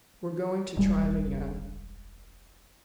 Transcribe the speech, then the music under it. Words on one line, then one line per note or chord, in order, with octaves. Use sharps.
We're going to try it again.
E1 A1 G3 G#3